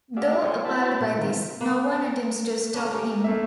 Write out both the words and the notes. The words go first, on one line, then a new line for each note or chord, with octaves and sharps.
Though appalled by this, no one attempts to stop him.
F#4 G#4 D5 E5 F5
A4 C5 C#5 G5 G#5
E4 F#4 A5 B5
A#2
D#3 C4 F4 A#4
A#3 B4
A3 C#4 D4
D#4 G4 A#4
A3 A#3 E5